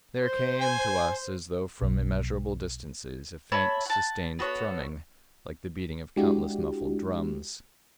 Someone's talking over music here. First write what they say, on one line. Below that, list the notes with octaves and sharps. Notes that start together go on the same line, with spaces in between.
There came to us as though from immeasurable distances, a faint, sustained thrumming--like the beating of countless muffled drums.
C5
G#5
B1
C#5 E5 A5 B5
F#5 A5
B3 F#4 A4 C#5
G#3 D4 E4 F#4 G4